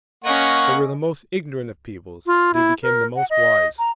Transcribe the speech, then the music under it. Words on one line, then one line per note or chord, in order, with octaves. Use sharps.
They were the most ignorant of peoples; they became the most wise.
A#3 C#4 D#5 F#5 C#6
F4
E4
A#4
F#5
D#5
A#5